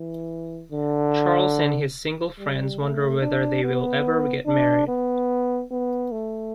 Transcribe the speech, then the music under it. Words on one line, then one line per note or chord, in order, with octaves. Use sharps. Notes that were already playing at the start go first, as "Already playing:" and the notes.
Charles and his single friends wonder whether they will ever get married.
Already playing: E3
D3
G3
A3
D4
B3
D4
B3
B3
A3